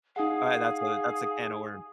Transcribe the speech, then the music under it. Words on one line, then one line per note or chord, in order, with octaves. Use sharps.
alright, that's a that's a can of worms.
D#4 G#4 F5 F#5